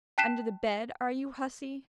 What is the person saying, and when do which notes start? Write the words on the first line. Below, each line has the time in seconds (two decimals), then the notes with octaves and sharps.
Under the bed, are you, hussy?
0.18 G5 A5 F#6 B6 C7 E7